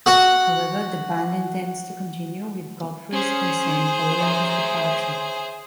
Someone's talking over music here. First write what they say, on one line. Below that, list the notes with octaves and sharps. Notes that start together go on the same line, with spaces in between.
However, the band intends to continue, with Godfrey's consent, following his departure.
F#4 F#5
C#4 G#4 C5
C#5 E5 A#5